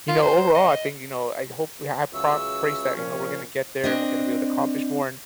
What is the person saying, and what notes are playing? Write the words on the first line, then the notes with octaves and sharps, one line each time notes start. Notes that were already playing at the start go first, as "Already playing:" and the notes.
you know, overall, I think, you know, I hope we have prop praise that, you know, we're gonna get there, and we're gonna be able to accomplish more and
F4
C5
D#5
C#2 C#3 F#3 E5 C#6 E6
A#2 F3 C#4
C4 D4 D#5